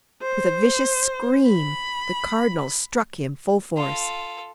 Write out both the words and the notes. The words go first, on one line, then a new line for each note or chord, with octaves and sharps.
With a vicious scream the Cardinal struck him full force.
C5
B5
F4 A4